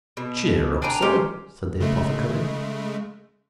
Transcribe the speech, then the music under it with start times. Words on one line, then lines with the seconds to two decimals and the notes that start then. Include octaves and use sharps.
'Cheer up, sir!' said the apothecary.
0.17 B2
0.82 D4 G5 G#5 A#5
1.02 C#4 G4 C5
1.80 C#3 G#3 A3